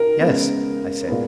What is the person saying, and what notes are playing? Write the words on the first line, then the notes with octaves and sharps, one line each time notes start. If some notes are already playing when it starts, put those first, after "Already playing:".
"Yes," I said.
Already playing: A#4
C#3 G#3 B3
A#2 G#3 B3